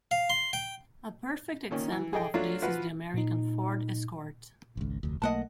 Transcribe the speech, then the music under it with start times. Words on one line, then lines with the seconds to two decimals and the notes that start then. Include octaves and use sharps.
A perfect example of this is the American Ford Escort.
0.11 F5
0.30 C6
0.53 G5
1.71 A#2 D#3 C#4
1.92 E3
2.13 G#4 A4 D#5 G5
2.34 F#3 A3 D4 F4
2.62 F3 F4 F#4 B4
3.14 A#2 D#4
4.77 G#1 C#2
5.03 F1 D2
5.22 B1 A3 A#3 D#5 F#5 A5